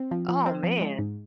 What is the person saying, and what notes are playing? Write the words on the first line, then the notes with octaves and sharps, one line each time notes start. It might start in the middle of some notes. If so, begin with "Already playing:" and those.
Oh, man.
Already playing: C4
F3
F3
C4
F3
G#3
G#2